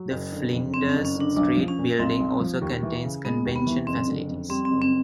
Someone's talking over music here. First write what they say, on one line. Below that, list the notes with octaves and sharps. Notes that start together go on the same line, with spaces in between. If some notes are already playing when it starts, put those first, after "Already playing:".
The Flinders Street building also contains convention facilities.
Already playing: F#3
F#1
D3
F2
F#1 C4
C#4
F#1
C#4
D3
D4
B1 D4
F3
C#4
A#2
B1 C4
B1
F3
D#2
E3
C#3
G#3 B3
D#2
B3
E3
F#1 C4
D3
F2
G3 C4
C4
F#1
C4